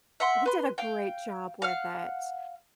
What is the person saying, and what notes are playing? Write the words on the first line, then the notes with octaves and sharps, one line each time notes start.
He did a great job with it,
E5 F#5 C6
B4 C6
F5 G5
F5 F#5 F6